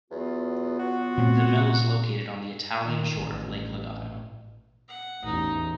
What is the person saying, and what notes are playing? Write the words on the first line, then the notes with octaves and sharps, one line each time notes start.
The mill is located on the Italian shore of Lake Lugano.
E2 F#3 B3 F4
F#4
A#2 A3 C4
D#3
A1
F#5
A1 E2 D#4